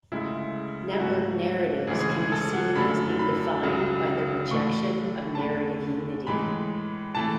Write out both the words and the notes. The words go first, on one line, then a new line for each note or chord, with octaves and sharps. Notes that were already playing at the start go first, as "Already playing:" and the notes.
Networked narratives can be seen as being defined by their rejection of narrative unity.
D2 C#3 G#3 E4
E4
G#2 F#3 A3 F#4
D2 C#3 E3 G#3 G#4
G#4
G#4
G#4
A4
F#5
F#2 D3 F#3 A3 B5
B5
C#2 C#3 F#3
A2 E3 A3 C#6
A5
E2 D3 A3 B5
A2 E3 G#3 B5
E3 A3 A5